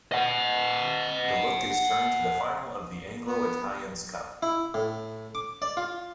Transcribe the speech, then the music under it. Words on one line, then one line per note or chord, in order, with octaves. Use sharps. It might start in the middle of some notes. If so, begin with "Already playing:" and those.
The look is turned to the final of the Anglo-Italian's Cup.
D#5 F#5
B3
E4
A2
D6
D5
F4